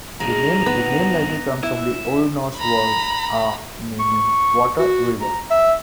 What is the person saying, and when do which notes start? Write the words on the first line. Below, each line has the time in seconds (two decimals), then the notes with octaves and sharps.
The name likely comes from the Old Norse word "aa", meaning 'water, river'.
0.20 G2 D#3 G#3 A#5
0.66 B3 B4
1.63 E4 E5
2.57 A#5 B5
4.00 C#6
4.79 F#4
5.21 A#5
5.51 E5